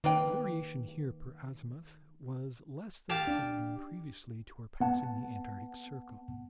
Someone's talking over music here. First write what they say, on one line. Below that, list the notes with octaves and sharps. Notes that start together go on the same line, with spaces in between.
The variation here, per azimuth, was less than it had been previously to our passing the Antarctic circle.
D#3 A#3 B4 G5
G4 F5 A5
D4
B3 F#5 A5